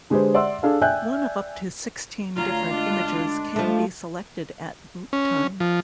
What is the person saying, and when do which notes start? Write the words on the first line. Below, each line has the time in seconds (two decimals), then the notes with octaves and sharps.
One of up to sixteen different images can be selected at boot time.
0.10 D3 G#3 G4 G#4 B4 C5
0.34 D5 E5 F#5 C6 E6
0.63 D4 G#4 A4 F5
0.81 D5 E5 G5 G#5 F#6 G6
2.37 D2 F4 C#5 F5 A#5
2.70 G#3 D4
3.56 F3 A3
5.13 C#4
5.60 F3